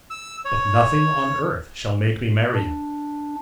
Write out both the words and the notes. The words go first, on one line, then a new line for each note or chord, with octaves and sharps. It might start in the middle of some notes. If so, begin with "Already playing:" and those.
But nothing on earth shall make me marry him.
E6
C#5
D4